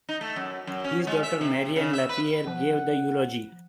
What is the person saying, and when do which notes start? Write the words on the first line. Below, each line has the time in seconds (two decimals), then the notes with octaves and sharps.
His daughter Marie-Anne Lapierre gave the eulogy.
0.09 D#4
0.21 A3
0.36 F#2
0.67 F#2
0.84 C#4
1.07 G#3
1.23 E5
1.41 C3
1.76 C#3
1.93 E5
2.09 B4
2.47 F3 F#5